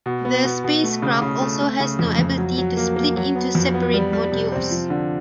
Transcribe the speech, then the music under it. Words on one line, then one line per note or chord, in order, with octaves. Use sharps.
The spacecraft also has no ability to split into separate modules.
B2
B3
B2
B2
A3
C#3
C#3
A3
A3
C#3
F2
F2
F#3
F#3
A#3
A#3
F#3
B3
F2
B3
G3
G3
C3
C4
F3
D3